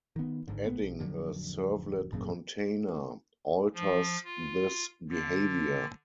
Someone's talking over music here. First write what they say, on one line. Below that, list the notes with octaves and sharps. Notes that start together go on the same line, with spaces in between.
Adding a servlet container alters this behavior.
D#3 B3
G#1 G#2 D3
A#1 B3
B1
D1 F2 D3 F#3
G#1 F#2 A#2 C#3
F3
F4
D3